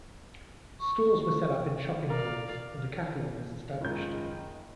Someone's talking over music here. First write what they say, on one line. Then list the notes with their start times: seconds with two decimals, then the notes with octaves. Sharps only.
Stores were set up in shopping malls and a catalog was established.
0.81 C#6
2.10 A#4 D5 F5
3.81 F#1 C#2 D#3 G6